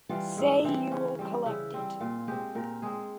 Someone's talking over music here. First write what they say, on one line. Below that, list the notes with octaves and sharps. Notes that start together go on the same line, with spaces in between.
Say you’ll collect it!
E3 G3 F4
G#2 E4
E3 G3 C4
C#3 C#4
G3 C4
C#3 E4
G3 C4
A#2 F4
G#3 C4 G4
A#2 A#4
G#3 C4 G#4